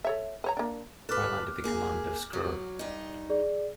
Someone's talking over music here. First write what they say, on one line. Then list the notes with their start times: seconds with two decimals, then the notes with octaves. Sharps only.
While under the command of Skr.
0.04 A4 C#5 E5
0.44 B4 C#5 A#5
0.57 A#3 D4
1.09 A4 B4 D6 F6 F#6
1.64 A#3 G#4
2.33 F#3
2.79 G2 D#4
3.30 G#4 D5